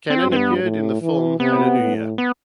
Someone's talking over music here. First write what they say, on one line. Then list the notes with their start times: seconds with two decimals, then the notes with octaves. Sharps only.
Cannon appeared in the film Hallelujah!
0.10 C4
0.24 G2
0.32 C4
0.36 B3
0.63 A2
1.01 E3
1.40 C3 B3
1.79 A2
2.18 B3